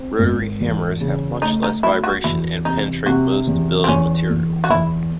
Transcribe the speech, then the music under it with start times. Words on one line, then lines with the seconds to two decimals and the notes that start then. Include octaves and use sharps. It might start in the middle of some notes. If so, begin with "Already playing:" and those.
Rotary hammers have much less vibration and penetrate most building materials.
Already playing: C4
0.19 G#1
0.60 E2
1.01 C#3
1.42 A3 D#4
1.63 D#4
1.83 F#3 E4
2.04 F#4
2.24 E2 E4
2.65 C3 D#4
3.06 C3 F#4
3.47 E2
3.84 C4
3.88 E2 C#4
4.30 E2
4.64 F#4
4.70 E2 E4